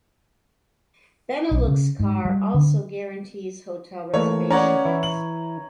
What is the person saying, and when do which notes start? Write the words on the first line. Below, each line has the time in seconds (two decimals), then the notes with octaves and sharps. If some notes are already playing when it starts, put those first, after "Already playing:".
Beneluxcar also guarantees hotel reservations.
1.51 B1
1.68 C#3
2.00 G#2
2.25 G3
2.54 D3
4.14 E3 A3 A#3 C#5
4.50 C#4 C#5 D5 F#5 A#5
4.85 E3 E4
5.03 F#7